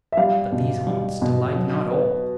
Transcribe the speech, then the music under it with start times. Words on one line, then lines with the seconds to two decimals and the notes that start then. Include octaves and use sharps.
But these haunts Delight not all.
0.12 E5
0.17 G3 F5
0.52 B2
0.87 G3
1.22 B2
1.56 F#3
1.91 B3